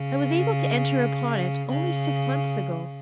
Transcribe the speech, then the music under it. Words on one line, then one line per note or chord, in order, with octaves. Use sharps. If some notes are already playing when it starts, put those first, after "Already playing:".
I was able to enter upon it only six months ago.
Already playing: C#3
C#3